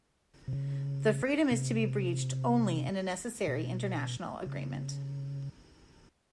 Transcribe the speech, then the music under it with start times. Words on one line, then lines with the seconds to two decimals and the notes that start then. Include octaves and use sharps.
The freedom is to be breached only in a necessary international agreement.
0.48 C3
0.53 C#3
1.51 C3
3.48 B2
4.46 C#3